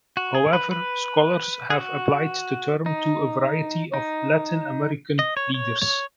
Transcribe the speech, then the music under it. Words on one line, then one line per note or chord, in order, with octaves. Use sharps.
However, scholars have applied the term to a variety of Latin American leaders.
F#4
G#4
B4
B4
G#4
F#4
D#4
D#4
D#5
C#5
C#5
C#5